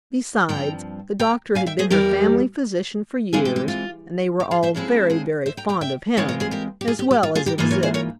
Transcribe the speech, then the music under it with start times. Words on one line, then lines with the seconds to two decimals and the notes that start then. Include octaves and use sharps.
Besides, the doctor had been her family physician for years, and they were all very, very fond of him as well as of Zip.
0.49 G2 F3 C4 G5 A#5
1.19 G5 A#5
1.55 F5 G#5
1.66 E5 G5
1.79 G#4 C5
1.90 E2 E3 G3 G4 A#4
3.33 E3 G#3 C4 F4 G#4
3.45 G4
3.56 G4
3.68 F4
4.40 G4
4.51 F4 G#4
4.63 C5 E5
4.74 C#3 F3 G#3 C4 E4 G#4 C5
5.10 G#4 C5
5.46 C5 E5
5.57 G5 A#5
5.69 G5 A#5
5.81 E5 G5
6.17 E3 G#3 C4 F4 C#5 F5
6.28 A#4 C#5
6.40 G#4 C5
6.51 G4 A#4
6.81 G4
6.88 F4 G#4
6.99 G4
7.11 G4
7.23 F4
7.35 F4 G#4
7.46 G4 A#4
7.58 G#2 E3 A#3 F4 G#4 C5
7.71 A#4 C#5
7.83 G#4 C5
7.94 A#4 C#5